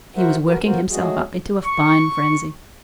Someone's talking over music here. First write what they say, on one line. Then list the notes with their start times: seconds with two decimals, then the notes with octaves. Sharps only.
He was working himself up into a fine frenzy.
0.16 F#4 A#4 C5 E5 F#5
0.45 D2 F3 F#4 A#4 B4
0.64 F2 B3 F4 F#4 A#4 C5
0.89 F#3 G#3 A3 F#4 G#4
1.63 C#6